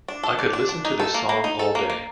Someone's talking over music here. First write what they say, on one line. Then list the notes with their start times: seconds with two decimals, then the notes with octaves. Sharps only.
I could listen to this song all day.
0.08 D4
0.23 A4
0.39 D5
0.53 D4
0.69 D4
0.85 D#4
1.00 A4
1.14 A#3
1.29 A#3
1.44 D#4
1.59 A4
1.75 A#3
1.90 A#3